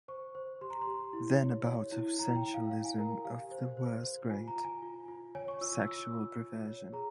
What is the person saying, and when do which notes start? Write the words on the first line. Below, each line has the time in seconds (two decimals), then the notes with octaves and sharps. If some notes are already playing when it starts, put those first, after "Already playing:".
Then a bout of sensualism of the worst grade, sexual perversion.
0.08 C5 C#6
0.35 C5
0.61 G4 C6
0.70 A#5
0.81 C6
0.87 G4
1.13 E4
1.41 C#5
1.67 C#5
1.92 E4
2.18 E4 A#5
2.36 G5
2.45 E4
2.54 F5
2.71 E4 F5
2.85 G#5
2.98 A#4 A#5
3.11 G#5
3.24 G4 F5
3.51 C5
3.77 C5
4.03 C5
4.30 F4 G#5
4.48 A#5
4.56 F4
4.65 G#5
4.82 F4
5.08 F4
5.35 C#5 G#5
5.48 C#6
5.61 F4 E6
5.75 E6
5.87 F4 E6
6.14 F4
6.40 F4
6.67 C#5
6.93 G#4 A#5